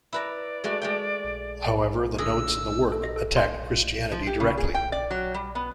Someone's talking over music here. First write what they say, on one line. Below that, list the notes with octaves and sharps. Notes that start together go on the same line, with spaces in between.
However, the notes in the work attacked Christianity directly.
E4 B4 D5 A#5
G#3 A3 F#4
G#3 A3 G5
D3 G#4 D#5 E6
A4
D#5
A4
C6
F3
G4
C#3
G#4
G5
D5
F#3
G3
B3